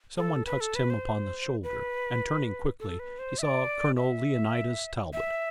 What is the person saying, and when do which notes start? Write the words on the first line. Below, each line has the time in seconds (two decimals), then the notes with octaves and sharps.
Some one touched him upon the shoulder, and turning quickly he saw Colonel Leonidas Talbot.
0.17 A4
0.46 B4
0.60 A4
0.75 B4
0.90 C5
1.63 B4
2.80 A4
2.99 B4
3.19 C5
3.39 E5
3.43 D5
3.96 E5
5.13 E5